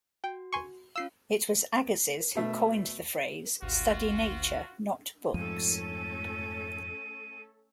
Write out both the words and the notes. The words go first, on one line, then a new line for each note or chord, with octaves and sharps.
It was Agassiz who coined the phrase, Study nature, not books.
F#4 G5
G#5 C6 C#6
C#4 F4 F5 E6 C7
B2 A3 E5
G#1 D2 F4 F#4
F2 G#2 F3 A3 C#4 A4 D#7